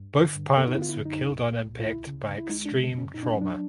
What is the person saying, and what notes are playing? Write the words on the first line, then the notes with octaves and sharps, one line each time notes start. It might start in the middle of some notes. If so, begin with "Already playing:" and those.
Both pilots were killed on impact by extreme trauma.
Already playing: G2
D3
G2
B3 A4
D#4
E4
D3 F4
E4
F#2
D#4
C2
A#2
C2
F4
D2 E4
C#3
D2
E4
G#3 D#4
D4
C#3
F#2
C#4
A#2 D#4
D4
F#3 C#4
D4